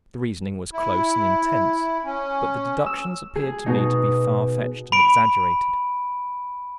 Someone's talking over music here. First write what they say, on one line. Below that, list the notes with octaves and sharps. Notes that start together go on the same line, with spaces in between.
The reasoning was close and intense, but the deductions appeared to me to be far-fetched and exaggerated.
E4
C#4
E6
G#4
B2 D#4
B5 D7